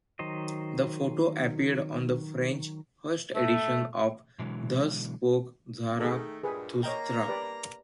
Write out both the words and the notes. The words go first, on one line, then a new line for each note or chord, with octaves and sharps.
The photo appeared on the French first edition of "Thus Spoke Zarathustra".
D#3 F#3 C5 D#5
A3
B2 D3 E3 F#3 G#3
D#3 A3 G#4 A4
G2 A#2 G3 G#4 B4
A#3 C#5 D#5 G5 A#5
G4 B4 D5